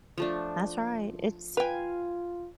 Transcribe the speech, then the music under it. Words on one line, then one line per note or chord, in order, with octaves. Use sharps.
That's right, it's
F3 A3 D4
F4 B4 F5 G5 G#5